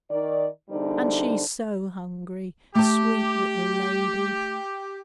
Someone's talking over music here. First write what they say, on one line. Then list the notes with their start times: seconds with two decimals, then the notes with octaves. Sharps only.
"And she's so hungry, sweet little lady."
0.11 D#3 D5
0.69 E2 D3 G3 D#4 C5 D5
2.75 A3 G4 A5